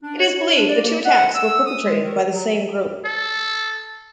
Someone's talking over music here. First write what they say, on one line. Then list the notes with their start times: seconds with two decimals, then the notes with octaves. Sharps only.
It is believed the two attacks were perpetrated by the same group.
0.02 D4
0.20 C#5
0.39 C#5
0.56 D4
0.69 D5
0.83 A#3
1.05 F#5
1.35 E6
1.66 D#6
1.85 G#3
2.03 D#3
2.33 F#3
3.06 A4